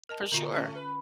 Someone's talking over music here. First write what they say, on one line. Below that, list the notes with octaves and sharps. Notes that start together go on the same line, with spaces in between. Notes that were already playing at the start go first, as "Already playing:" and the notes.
For sure.
A#4 D#5 A5
A#2 D3 F4 A#5
A3 C#4
B4